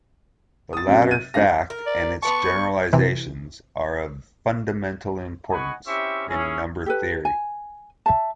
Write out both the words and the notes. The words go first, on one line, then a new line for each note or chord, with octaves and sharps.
The latter fact and its generalizations are of fundamental importance in number theory.
D#6 A6
F#2 C3 F#3
D#7
G1 C#2 D4 F5 A#6
A#4
D5
B3 B4 A5 C#6
C3 E3
D#5 F#5 G#5 B5 C#6
C4 C#4 E4 G4 E5 C#6
C#4 E4 G#4
G4 A4 B4
G#5
E5 A5